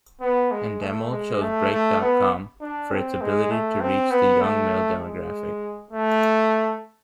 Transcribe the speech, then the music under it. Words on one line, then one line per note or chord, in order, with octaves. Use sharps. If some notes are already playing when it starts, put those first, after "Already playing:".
Endemol chose Break dot com for its ability to reach the young-male demographic.
B3
G#3
A3
G#3
A3
A3
B3
D4
C4
G#3
A3
C4
B3
A3
G#3
A3